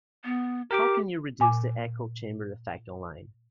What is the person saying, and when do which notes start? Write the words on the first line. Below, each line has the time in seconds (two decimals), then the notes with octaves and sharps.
How can you reduce the echo chamber effect online?
0.25 B3
0.71 G4 A#4 G5 D6
1.40 A#2 G#5 D6